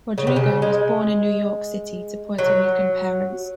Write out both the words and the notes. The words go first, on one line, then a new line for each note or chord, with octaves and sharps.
Rodrigo was born in New York City to Puerto Rican parents.
C#3
C3
C#3
G#3
F#3